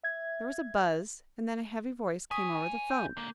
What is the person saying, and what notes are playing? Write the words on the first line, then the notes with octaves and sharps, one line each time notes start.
There was a buzz and then a heavy voice came over the 'phone.
E5 G#6
C5 G#5 C#6 D#6 B6
D#7
G6
D3 A#3